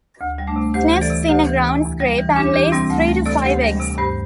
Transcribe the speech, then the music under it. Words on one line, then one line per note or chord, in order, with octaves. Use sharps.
It nests in a ground scrape and lays three to five eggs.
D2
G3
A3 D4
C3
D2 G4 C5
E3
A4 D5
C3
D2 G4 C5
E3
C3
E2
G3
E3
E2 D4 G4
E3 D4 G4
C3 G3 C4
D2 A3
G3
C3 A4 D5
D2 G4 C5
G3
C3
G2 G4 C5